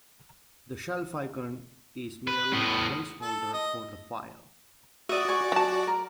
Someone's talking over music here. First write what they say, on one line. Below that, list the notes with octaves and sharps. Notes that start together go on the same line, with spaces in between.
The Shelf icon is merely a placeholder for the file.
B4
A2 B3
A4
D#5
F#4 D5 E5 D#6
G#5 C#6
F#3 A5
A#4